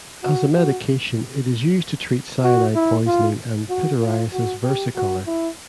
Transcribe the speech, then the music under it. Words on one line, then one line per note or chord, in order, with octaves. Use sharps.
As a medication it is used to treat cyanide poisoning and pityriasis versicolor.
F#4
F#4
F#4
E4
F4
F#4
F4
F#4
G4
F#4
E4